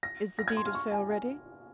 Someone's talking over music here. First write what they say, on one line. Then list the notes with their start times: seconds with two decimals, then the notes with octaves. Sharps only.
"Is the deed of sale ready?"
0.03 A#6
0.39 A#6
0.48 G#6
0.57 C6
0.66 F6
0.75 C#6
0.92 G#5
1.10 G#5